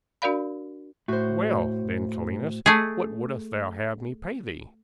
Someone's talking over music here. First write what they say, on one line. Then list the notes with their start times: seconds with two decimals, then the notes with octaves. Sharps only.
'Well, then, Calenus, what wouldst thou have me pay thee?'
0.22 D4 F#4 A#4 D5 F5 B5
1.08 A2 F#4 C5
2.66 A3 G#4